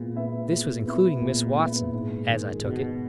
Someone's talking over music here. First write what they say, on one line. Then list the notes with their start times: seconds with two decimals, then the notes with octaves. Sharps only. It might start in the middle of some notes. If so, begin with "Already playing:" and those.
This was including Miss Watson, as I took it.
Already playing: A#2 G#3 B3 E4
0.15 B3 E4 B4 E5
0.50 G#3
0.86 B3 E4 B4 E5
1.22 A#2 G#3
1.57 B3 E4 B4 E5
1.93 G#2
2.29 D#3 G#3
2.65 G#2 B2